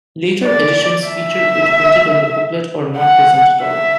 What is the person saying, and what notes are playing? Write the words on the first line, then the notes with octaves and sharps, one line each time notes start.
Later editions feature it printed on the booklet or not present at all.
D5
E5
F#5
E5